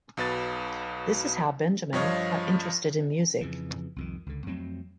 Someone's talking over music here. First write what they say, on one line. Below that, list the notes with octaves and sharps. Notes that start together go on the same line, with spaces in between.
This is how benjamin got interested in music.
B1 B2 B4 A6
G2 F3 C#5 D#5 F5
F2 C#3 E3
C2 F2 D#3
C#2 D3
F2 F#3 A3 C4